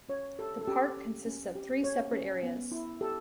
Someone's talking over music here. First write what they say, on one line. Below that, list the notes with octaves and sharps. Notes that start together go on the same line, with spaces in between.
The Park consists of three separate areas.
C#4 C#5
G4 A4
A4
C#4 G4
C#4
C#4
G4
C#4 C#5
C#4
B3
E4
G4 A4